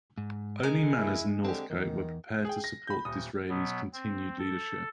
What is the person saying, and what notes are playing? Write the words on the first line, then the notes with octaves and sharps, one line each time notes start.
Only Manners and Northcote were prepared to support Disraeli's continued leadership.
G#2
G#3 A#4
E4
D3 C4 G4
E2 D#3
G#4 G5
A#6
B5 G6
D#1 D#6
B2 F#3 B3
C4
A4